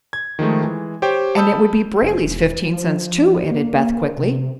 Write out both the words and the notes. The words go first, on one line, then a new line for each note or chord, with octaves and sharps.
"And it would be Brayley's fifteen cents, too," added Beth, quickly.
G#6
D#3 F3 G#3 A3
E3 G#3
G4 C5 C#5 G5
A5 B5 D#6 E6 G6
F#1
E1
F3
A#3
C3